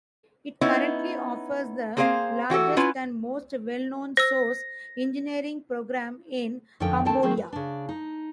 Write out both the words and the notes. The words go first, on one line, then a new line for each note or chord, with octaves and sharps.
It currently offers the largest and most well known source engineering program in Cambodia.
B3 C#4 D#4 E4
A#3 C4 G#4 C5 D#5 F5
E3 F#4 G4 A4
C#4 E4 F4 B4
C5 E6 A#6
F2 D3 F3 C#4 A4 G5
D2 D3 D#3 C4 G5 A5
D#3 F#3 C4 G#4 A#4
B4
C#3 D4
D#4